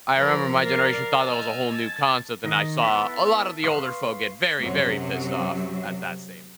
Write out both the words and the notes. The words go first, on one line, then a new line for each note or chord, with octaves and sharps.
I remember my generation thought that was a whole new concept, and I saw a lot of the older folk get very, very pissed off at that statement
F3 A#4 E6
A#4 D5 F5 A#5
D#5 G#5 A5 E6 F6 G6
A5 G#6 A6
D#3 D#5
B3 E4 A4 B4
B4 F5 C6 C#6 D#6
F#2 C3 F#3